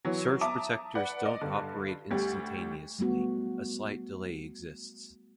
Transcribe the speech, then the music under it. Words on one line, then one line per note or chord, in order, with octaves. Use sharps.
Surge protectors don't operate instantaneously; a slight delay exists.
E3 F#3
E5 A5 A#5 D6 D#6
B4 D5 F#5
D5 D#5
G2 D3
D2 G3
G3 A3 B3 F#4